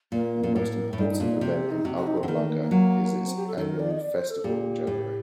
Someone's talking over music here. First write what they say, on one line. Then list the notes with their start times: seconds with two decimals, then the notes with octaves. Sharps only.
The most important event in Agua Blanca is its annual festival in January.
0.12 A#2 A#3
0.43 A#2
0.56 A2
0.93 A2
0.98 G2 D#4
1.09 D#4
1.20 A#2 D4
1.31 D#4
1.41 C3 F#4
1.56 G4
1.71 D#4
1.85 C3 F#4
1.96 F#4
2.07 D#4
2.17 C4
2.23 D3
2.28 D#3 A#3
2.39 A3
2.50 A#3
2.61 A#3
2.71 F#3
3.14 A#3
3.25 C4
3.36 G4
3.47 A4
3.58 D#3 A4
3.69 A#4
3.79 D5
3.91 D#5
4.00 D5
4.16 C5
4.30 A4
4.44 A#2 G4
4.87 A2